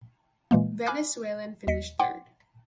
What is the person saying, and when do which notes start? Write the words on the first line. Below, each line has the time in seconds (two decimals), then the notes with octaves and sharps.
Venezuelan finished third.
0.51 A#2 E3 G#3 A#3
0.86 G#5 B5 D6 F6 F#6 G#6
1.67 D#2 D#5 B6 C#7
2.00 F#5 G5 C6 D6